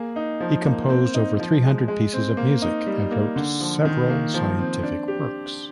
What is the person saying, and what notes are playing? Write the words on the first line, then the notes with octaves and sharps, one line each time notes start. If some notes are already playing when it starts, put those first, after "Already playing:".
He composed over three hundred pieces of music and wrote several scientific works.
Already playing: A#3 G#4
D#4
F3
A#3
C4
D#4
F3
G#3
G#3
C4
A#3
D#4
G3
A#3
D3
F3
D#3
A#3
F3
C4
D4
G4